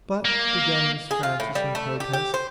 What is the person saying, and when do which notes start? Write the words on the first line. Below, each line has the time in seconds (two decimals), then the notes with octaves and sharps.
"But," began Miss Frances in protest.
0.25 A#3
1.11 G#4
1.23 F4
1.40 A2
1.55 G3
1.75 A3
2.00 G4
2.13 G4
2.34 C5